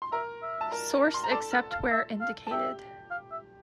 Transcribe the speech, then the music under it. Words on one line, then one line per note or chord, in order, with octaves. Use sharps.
Source except where indicated.
C6
A#4 E5 A#5
E5
A5
A#4 A#5
C6
C5 A#5
A4 D5 A5
A#4
F5
E5
F5
A5
G4 E5 G5
F5
E5